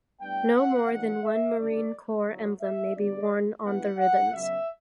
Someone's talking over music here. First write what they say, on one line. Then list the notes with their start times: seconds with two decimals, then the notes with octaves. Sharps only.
No more than one Marine Corps emblem may be worn on the ribbons.
0.21 A2 G3 B3 D4 G5
0.55 F#5
0.89 A1 G2 E3 F#5
1.23 E5
1.58 D2 C#3 G3 D4 D5
2.27 E2 D3 F#3
2.61 E5
2.95 G2 D3 F#3 B3 D4 D5
3.64 G2 E3 B3 F#5
3.98 F#5
4.33 C#2 B2 F#3 E5